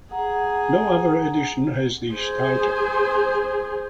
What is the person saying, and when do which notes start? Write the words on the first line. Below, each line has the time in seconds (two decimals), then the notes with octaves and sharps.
No other edition has this title.
0.11 G#4 F#5 A#5
2.11 G#4 C5